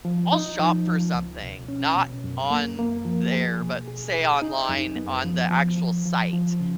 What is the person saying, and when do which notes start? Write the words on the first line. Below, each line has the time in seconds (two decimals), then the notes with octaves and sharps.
I'll shop for something not on there, but say online on the actual site,
0.05 F3
0.33 D#4
0.59 F3
0.87 F3
1.14 C#2
1.42 B2
1.68 C#4
1.96 B2
2.24 F#2
2.50 A#3
2.79 A#3
3.05 F3
3.32 G#4
3.60 B2
3.88 G#4
4.14 G#4
4.42 D#4
4.69 F#2
4.96 B3
5.24 F3
5.51 F3
5.78 F3
6.06 F3
6.33 F3
6.60 C#3